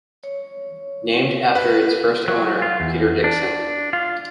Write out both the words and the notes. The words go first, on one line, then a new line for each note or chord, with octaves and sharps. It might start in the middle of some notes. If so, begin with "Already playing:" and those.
Named after its first owner Peter Dixon.
C#5
B4
F#3
F4
E2
D4
F4